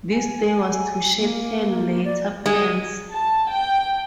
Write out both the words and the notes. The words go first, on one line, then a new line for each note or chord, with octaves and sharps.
This day was to shape her later plans.
G#5
A#3
D5
G#3
A5
G5